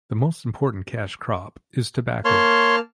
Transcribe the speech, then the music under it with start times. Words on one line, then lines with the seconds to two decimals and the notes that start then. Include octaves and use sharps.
The most important cash crop is tobacco.
2.25 A#3 C#5 A5 C6 F6